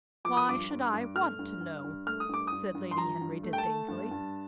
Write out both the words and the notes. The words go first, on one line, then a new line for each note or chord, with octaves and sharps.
"Why should I want to know?" said Lady Henry, disdainfully.
F3 D6
D#6
G2 D6
G2
G2
A3 F6
G2
G2
G2
A3 F6
D#6
G2 D6
G2 D#6
G2
C6
F3 A#5
G2
A3
G5
A5
A3
G2
G2